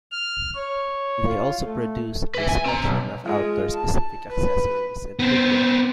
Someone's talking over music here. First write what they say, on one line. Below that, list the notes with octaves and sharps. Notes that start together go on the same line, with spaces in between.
They also produce a selection of outdoor specific accessories and footwear.
F6
C#5
F4
A3
B4 E5
G#5
C4 A#5
B1
G#3 F4
A5
B4
B3 C4